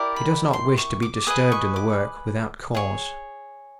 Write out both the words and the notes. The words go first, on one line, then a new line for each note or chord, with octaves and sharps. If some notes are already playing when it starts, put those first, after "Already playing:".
He does not wish to be disturbed in the work, without cause.
Already playing: E4 G4 A#4 D5
B5
C6
C#6
D6
G#4 B4 D#5 D#6
C#6
D6
G#4 C#5